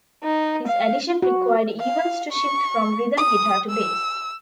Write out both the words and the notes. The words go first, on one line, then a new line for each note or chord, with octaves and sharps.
His addition required Evans to shift from rhythm guitar to bass.
D#4
F5
F#4
F5
C#6
D#6
E6